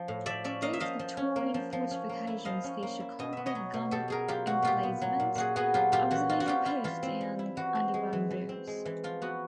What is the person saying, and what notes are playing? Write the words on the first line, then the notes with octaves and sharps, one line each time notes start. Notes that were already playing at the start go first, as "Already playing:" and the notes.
These Victorian fortifications feature concrete gun emplacements, observation posts and underground rooms.
Already playing: F3
A2
F3 D5 E5
C#4 D5 E5
A#3 D#5 F5
E5
F3 D#5 F5
F3
C#4
A#3
F3
F3
C#4
A#3
E4
F3 D#5 F5
C#4
A#3
E4
B2 D#5
B3 E5
C#5 D#5
F#3
B2
B2 G4 A4
B3 G#4 A#4
F#3 F4 G4
B2 F#4
A#2 F4 G4
B3
F#3
A#2
A#2 F#4 G#4
B3 F#4 G#4
F#3 F4 G4
A#2 F4 G4
E3 F#4
C4 F4
F#4
G3 F4 G4
E4 F4
E3 F4
C4
G3
E4
E3 F#4
C4
G#3
E3
E3
C4
G#3
E3
F3 F4
B3 F#4